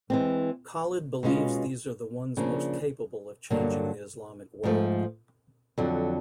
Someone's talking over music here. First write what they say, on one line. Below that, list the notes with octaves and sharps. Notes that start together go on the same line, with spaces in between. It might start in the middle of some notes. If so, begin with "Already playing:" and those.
Khaled believes these are the ones most capable of changing the Islamic world.
E3 G#3 C4
B2 G#3 C#4 F4
C#3 F3 A#3 D4
G2 D3 F#3 A#3
G#2 F3 A3
F2 D3 F#3